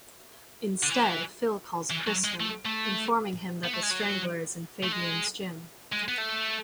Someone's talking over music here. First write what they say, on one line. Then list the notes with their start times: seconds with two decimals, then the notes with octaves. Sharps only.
Instead, Phil calls Kristo, informing him that The Strangler is in Fabian's gym.
0.83 D3
0.90 E3
1.90 E3
2.07 F#3
2.24 G#3
2.40 A3
2.65 A3
3.64 B3
3.74 A3
3.83 G#3
3.91 F#3
4.83 A3
4.92 G#3
5.93 G#3
6.08 B3
6.18 A3